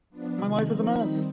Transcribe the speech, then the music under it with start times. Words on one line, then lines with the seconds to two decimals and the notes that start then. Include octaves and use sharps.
My life is a mess.
0.10 F3 B3 D4
0.38 C3 D#3 G#3
0.66 F3 C4 D#4
0.94 D#3 G3 C4 D#4 B5